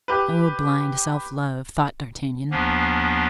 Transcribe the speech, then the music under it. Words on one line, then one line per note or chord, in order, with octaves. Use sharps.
"Oh, blind self-love!" thought D'Artagnan.
G4 B4
D#2 F3 A#3 B3 C#4 D4